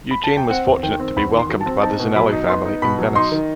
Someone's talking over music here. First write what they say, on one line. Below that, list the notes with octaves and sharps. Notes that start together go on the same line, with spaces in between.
Eugene was fortunate to be welcomed by the Zinelli family in Venice.
B5
A5
G5
C4 F#5
E2
D#3 G5
C4
E2 B5
D#3
C6
F#3
A5
C4
D#4 A5
B2
F#3 B5
D#4
B3 C6
D#4
B2 B5
F#3
D#4 C6
D#3